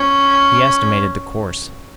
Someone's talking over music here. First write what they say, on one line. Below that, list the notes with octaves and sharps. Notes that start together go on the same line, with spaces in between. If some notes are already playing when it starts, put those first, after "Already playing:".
He estimated the course.
Already playing: C#4